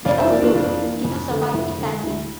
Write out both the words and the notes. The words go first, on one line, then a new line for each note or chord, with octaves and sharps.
Their only daughter did not survive infancy.
F2 D5 F5
C5 E5
E3 A#3 A#4 D5
D4 F4
F2 D4 F4
E3 A#3
F2
D3 A3
F2 E4
D3 A3
D2 E4